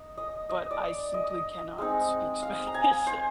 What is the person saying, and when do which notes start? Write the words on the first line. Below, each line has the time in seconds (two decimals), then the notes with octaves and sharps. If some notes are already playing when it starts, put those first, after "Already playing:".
but I simply cannot speak Spanish.
Already playing: D#4
0.17 D#5
0.49 D#5
0.71 D5
1.14 D#5
1.78 G#3 C4 D#4
2.43 F5
2.67 A#5
2.74 G#5
3.07 C5